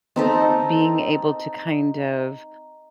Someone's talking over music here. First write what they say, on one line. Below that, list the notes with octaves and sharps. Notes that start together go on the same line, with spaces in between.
being able to kind of,
C4 D#4 A4 D#5 A#5